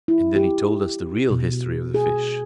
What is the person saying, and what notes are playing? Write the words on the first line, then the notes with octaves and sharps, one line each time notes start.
And then he told us the real history of the fish.
E4
G4
B2
G#4